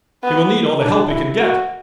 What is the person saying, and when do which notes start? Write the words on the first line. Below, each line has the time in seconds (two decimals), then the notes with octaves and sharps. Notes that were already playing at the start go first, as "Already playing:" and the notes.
He will need all the help he can get!
0.24 B3
0.81 D4
1.10 E4
1.40 F#4